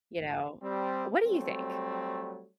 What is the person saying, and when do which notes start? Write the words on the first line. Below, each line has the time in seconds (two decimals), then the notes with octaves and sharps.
You know? What do you think?
0.62 G3 C4
1.25 F#3 G3 A3 C4